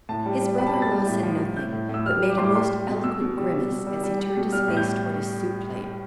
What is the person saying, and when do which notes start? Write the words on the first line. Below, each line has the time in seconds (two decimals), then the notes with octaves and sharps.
His brother-in-law said nothing, but made a most eloquent grimace as he turned his face towards his soup-plate.
0.09 A2 A5
0.26 G3
0.41 G3
0.58 G3 B5
0.67 A5
0.74 B2 B5
0.82 A6
0.91 G3
1.07 A2
1.23 F3
1.40 F3
1.56 A2 G6
1.73 A2
1.89 A2 E6
2.06 G3 F6
2.22 G3
2.30 D6
2.38 A2 C6
2.44 D6
2.55 G3 C6
2.71 G3
2.88 B2
3.04 B2 E6
3.21 B2
3.37 G3
3.54 G3
3.71 B2
3.87 G3
4.03 G3
4.19 G3
4.36 B2
4.52 G3 F6
4.68 A2
4.77 G6